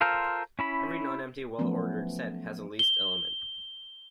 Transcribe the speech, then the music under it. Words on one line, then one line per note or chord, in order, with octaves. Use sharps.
Every non-empty well-ordered set has a least element.
F4 A4 A#4 C5
C#4 E4 B5
F3 F#3 A3 B3 C#4
G7